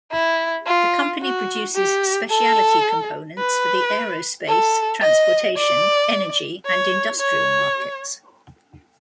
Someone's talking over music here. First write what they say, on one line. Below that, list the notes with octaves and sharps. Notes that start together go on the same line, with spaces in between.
The company produces specialty components for the aerospace, transportation, energy and industrial markets.
E4
F4
F#4
G4
A4
B4
A4
D#5
D5
C#5
C#5